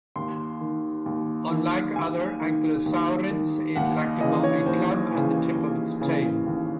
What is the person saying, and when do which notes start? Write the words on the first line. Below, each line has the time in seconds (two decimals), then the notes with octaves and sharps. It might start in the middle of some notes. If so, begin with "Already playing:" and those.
Unlike other ankylosaurids, it lacked a bony club at the tip of its tail.
0.16 D#2 C6
0.61 D#3
1.06 D#2
1.51 D#3
1.96 D#2 G#5
2.41 D#3
2.86 D#2
3.31 D#3
3.75 D#2 F#5
3.98 D#5
4.21 C#3 E3 D#5
4.43 C#5
4.66 D#2 C5
5.11 C#3 E3
5.56 D#2
6.01 C#3 E3
6.46 D#2